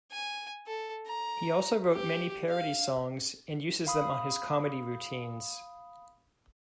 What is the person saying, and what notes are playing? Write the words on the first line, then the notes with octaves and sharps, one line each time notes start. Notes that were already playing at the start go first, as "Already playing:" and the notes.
He also wrote many parody songs and uses them on his comedy routines.
G#5
A4
A#5
G4
F5
F5 B5 D#6